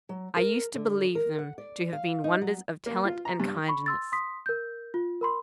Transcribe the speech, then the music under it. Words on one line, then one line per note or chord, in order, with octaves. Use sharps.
I used to believe them to have been wonders of talent and kindness.
F#3
A#4
D3
A#4
F#5
D5
F5
D#4
F#3
A#3
F4
A#5
G2
B5 C#6
C6 E6 A6
C6 D#6 B6
A#4 G6
F4
A#4 B5 C6